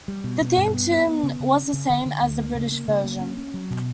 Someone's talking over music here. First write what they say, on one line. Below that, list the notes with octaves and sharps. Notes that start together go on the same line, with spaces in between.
The theme tune was the same as the British version.
G3
B2
B2
G2
B3
B3
B3
C#3
C#3
C#4
C#3
D3
D3
D2
A#3
C#3
A#3
C#3
A#3
C#4
C#4
F#3
B2